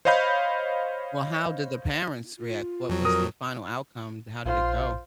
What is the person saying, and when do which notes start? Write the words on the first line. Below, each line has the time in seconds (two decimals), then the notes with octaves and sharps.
Well, how did the parents react, what was the final outcome, how did it go?
0.05 C5 C#5 D#5 F5 B5 G6
2.38 F4
2.89 F2 F#3
3.05 A#4 D#6
4.45 A#1 F4 C5